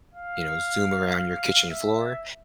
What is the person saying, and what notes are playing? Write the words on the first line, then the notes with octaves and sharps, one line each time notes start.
you know, zoom around your kitchen floor.
F5
F5
E5